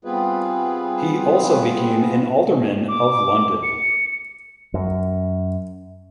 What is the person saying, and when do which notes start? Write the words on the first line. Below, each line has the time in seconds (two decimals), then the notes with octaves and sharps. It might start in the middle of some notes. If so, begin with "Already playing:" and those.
He also became an Alderman of London.
0.05 G3 B3 C4 F4 G#4 B4
2.88 D6
3.63 C#7
4.74 F#2